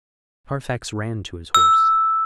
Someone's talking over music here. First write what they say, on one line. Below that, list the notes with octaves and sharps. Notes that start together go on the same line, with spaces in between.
Carfax ran to his horse.
E6